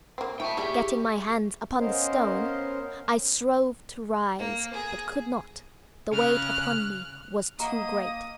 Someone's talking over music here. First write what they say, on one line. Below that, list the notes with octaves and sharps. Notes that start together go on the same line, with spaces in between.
Getting my hands upon the stone, I strove to rise, but could not, the weight upon me was too great.
A#3 C4
F3 D#4 E5 G5 A5 C#6
G3 E4 G4 G#4
B3 C#4 A#4 C5 D#5 F5
A#3
G#4
C#3 F6 F#6
A#3 D#5 F#5 A#5 D#6